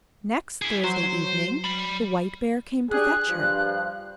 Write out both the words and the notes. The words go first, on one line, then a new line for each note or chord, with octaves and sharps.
Next Thursday evening the White Bear came to fetch her.
E4 G#4
F#3 C5
F#3
D5 B5
D4 G4 G#4 F#6
G2 F3